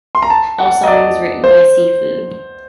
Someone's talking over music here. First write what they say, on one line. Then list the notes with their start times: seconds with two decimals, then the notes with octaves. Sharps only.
All songs written by Seafood.
0.15 C6
0.22 A#5
0.30 A5
0.59 F#5
0.84 D#5
0.87 D5
1.44 C5